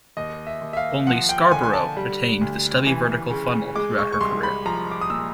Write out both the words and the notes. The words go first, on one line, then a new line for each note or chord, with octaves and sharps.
Only "Scarborough" retained the stubby vertical funnel throughout her career.
D#2 D#5
E5
D#2
E5
F5
F3 F#5
G5
D3 G#5
G#5
A5
G3
D2
E3
C#3
G#3 D6
C#6
C#6
C2 C6
B5
F3 A#5
D6
D#6
A#2 E6